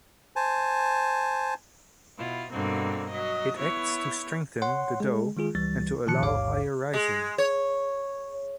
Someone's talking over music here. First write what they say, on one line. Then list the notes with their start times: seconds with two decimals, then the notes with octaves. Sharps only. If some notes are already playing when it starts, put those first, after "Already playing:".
It acts to strengthen the dough and to allow higher rising.
0.36 C5 G#5 A5
2.17 B2 E4 F4
2.51 G2 B2 D3 A#3 C4
3.08 F#3 D#5
3.56 B3 E4 C#5
4.62 C#5 F#5 C6
5.00 G#3 G#4
5.37 D#3 G#3 F4 G#4
5.55 C#2 E3 G3 A6
6.07 A#2 D#3 F3 A5 F#6 C#7
6.22 A1 D#2 G#2 C#5 F5 D6
6.93 G#3
7.38 C#5